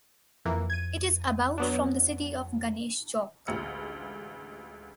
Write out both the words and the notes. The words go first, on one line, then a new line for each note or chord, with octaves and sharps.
It is about from the city of Ganesh Chowk.
F2 E3 A#3
G#6 D#7
F#3 B3 D4
A1 D2 G#3 F4 F6 C#7